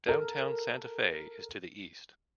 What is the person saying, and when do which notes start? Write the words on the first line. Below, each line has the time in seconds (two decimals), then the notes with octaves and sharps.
Downtown Santa Fe is to the east.
0.07 A4 A#4